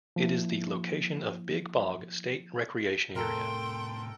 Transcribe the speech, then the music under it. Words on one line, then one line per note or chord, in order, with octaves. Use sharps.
It is the location of Big Bog State Recreation Area.
F3 A#3 E4
A2 C3 A4 A#4 G5 C6